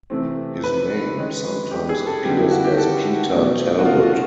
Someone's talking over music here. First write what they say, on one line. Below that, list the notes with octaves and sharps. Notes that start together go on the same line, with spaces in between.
His name sometimes appears as Peter Talbot.
C3 E3 A3 C4
B4
D#3 G#3 C#4
G4
G#4
A4
D3 G3 B3 G4
E4
F#4
G4
A4
B2 F#3 A3 C#4
F#4
F4
F4